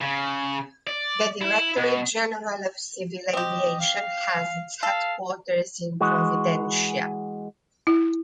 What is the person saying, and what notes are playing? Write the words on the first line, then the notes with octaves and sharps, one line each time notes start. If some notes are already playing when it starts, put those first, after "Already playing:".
The Directorate General of Civil Aviation has its headquarters in Providencia.
C#3
D5
E4
B2
C4 G4 D#5
F5
A4 F5
E3 G#3 F#4
E4